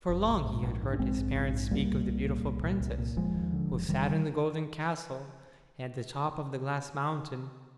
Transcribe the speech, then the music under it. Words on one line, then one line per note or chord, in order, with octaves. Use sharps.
For long he had heard his parents speak of the beautiful Princess who sat in the golden castle at the top of the Glass Mountain.
F1
A#1
G#2
A#1
G#2
D4
A#1 G#3 C4
G#2
A#1
G#2
C2 G3 A#3
A#2
C2
A#2
C2
A#2
C2
A#2
F1 F3 G#3
D#2
D3
F1
F1 D#3 G3